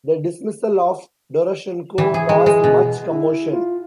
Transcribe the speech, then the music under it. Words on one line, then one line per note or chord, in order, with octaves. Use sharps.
The dismissal of Doroshenko caused much commotion.
E3
G#4
G#3
G#3
B2
E4
F4